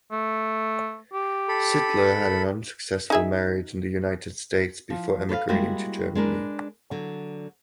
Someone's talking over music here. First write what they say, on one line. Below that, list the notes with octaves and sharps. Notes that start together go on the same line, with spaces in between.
Sittler had an unsuccessful marriage in the United states before emigrating to Germany.
A3
G4
A4 B5
D#4 G#4 E5
F3
A4 B4 C#5 F5
G3 G#3 A#3 E4 F#4 G4
G#3 D4 A#4 B4
D3 F#3